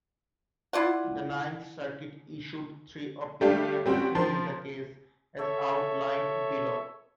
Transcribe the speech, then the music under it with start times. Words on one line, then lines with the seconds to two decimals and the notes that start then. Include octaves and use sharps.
The Ninth Circuit issued three opinions in the case, as outlined below.
0.73 E4 F4 D5 F#5
3.41 G3 A3 D4 G4 F5
3.86 G3 C4 C#4 F#4 G5
4.15 F3 A#4 C6
5.39 A4 C#5 E5